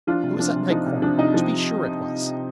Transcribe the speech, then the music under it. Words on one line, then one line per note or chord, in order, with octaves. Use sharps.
It was at my corner. To be sure it was!
F3 D4 F4
C3
F3 D4
C3
F3 D#4
C3
F3 D4
C3 D#4
F3